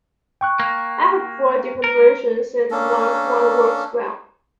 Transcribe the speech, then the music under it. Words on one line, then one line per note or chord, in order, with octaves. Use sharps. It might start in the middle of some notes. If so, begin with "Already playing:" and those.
I have four different versions and not one works well.
G5 C#6 F#6
A#3
A#4
A#3 C#4 D4 A4